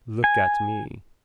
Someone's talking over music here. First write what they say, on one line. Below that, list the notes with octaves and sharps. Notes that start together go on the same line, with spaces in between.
Look at me.
G#5